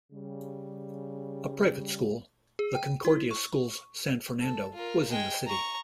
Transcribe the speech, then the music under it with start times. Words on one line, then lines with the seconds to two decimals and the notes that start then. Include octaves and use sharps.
A private school, The Concordia Schools San Fernando, was in the city.
0.12 C#3 G3
2.59 G#4
2.75 G5
3.05 E4
3.31 C#6
4.41 A4
4.74 F4 A#4
5.10 G#3 G5
5.47 A#5 C#6